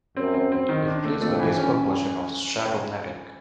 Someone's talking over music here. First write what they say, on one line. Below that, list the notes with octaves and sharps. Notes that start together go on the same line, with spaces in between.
It plays the baseball version of Strat-O-Matic.
F#2 C4
C4
C4
D#3
D4
A3
F2 A3
E3
C#4